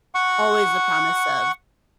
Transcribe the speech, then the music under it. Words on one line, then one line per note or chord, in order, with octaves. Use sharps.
always the promise of
F#5 C#6